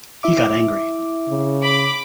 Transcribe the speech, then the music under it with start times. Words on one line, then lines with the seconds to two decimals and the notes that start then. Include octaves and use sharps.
He got angry.
0.23 E4 E5 D6
1.29 C#3
1.62 B5 D6